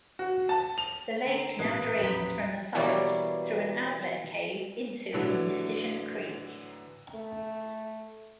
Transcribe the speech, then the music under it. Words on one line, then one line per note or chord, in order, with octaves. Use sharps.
The lake now drains from the summit through an outlet cave into Indecision Creek.
F#4
A5
F7
D3 A#5 C7 D7
A1 A#2 A#4 B4 D#6 F#6 G#6
E2 F3 A#5 B5
B2 E3 G3 A#3 C#5 D5
A2 D3 E3 F#3
A3